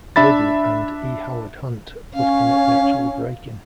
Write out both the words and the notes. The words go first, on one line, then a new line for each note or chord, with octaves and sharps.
Liddy and E. Howard Hunt would commit the actual break-in.
D4 E5 B5 A6
C#4 F5